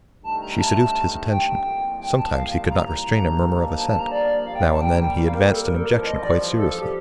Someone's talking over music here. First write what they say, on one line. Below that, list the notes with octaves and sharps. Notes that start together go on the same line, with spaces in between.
She seduced his attention; sometimes he could not restrain a murmur of assent; now and then he advanced an objection quite seriously.
G2 D#3 A3 A5
A#5
A5
G5
G5
C2 A#2 F3
G5
A5
F5
A#5
A#5
G2 F3 A#3 D#4 A4
A5
A5
A#5
D5
C3 G3 A#3 F5
G5
A5
G5
G5
F5
A#4
A4
A#4
A4
A1 G2 F3 A#4
D#5
D5
A4
A4
G4